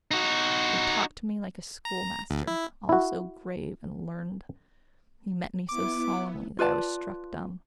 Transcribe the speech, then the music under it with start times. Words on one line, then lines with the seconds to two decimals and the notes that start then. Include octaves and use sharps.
He talked to me like a schoolmaster, all so grave and learned; he met me so solemnly that I was struck dumb.
0.11 D#4 F#4
1.85 A#5
2.30 D2
2.47 E4
2.89 E4 F#4
5.69 B3 E4 D6
6.59 F4 B4 D5 A5